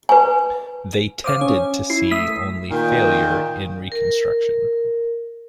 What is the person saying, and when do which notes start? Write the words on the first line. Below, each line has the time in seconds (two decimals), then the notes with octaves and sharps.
They tended to see only failure in Reconstruction.
0.09 B4 G#5
1.24 C5 F5 D6 D#6
1.41 C#4 C#5
1.90 E4 C7
2.11 A3 D#6 E6 B6
2.71 A#2 D#3 G5
3.92 A#4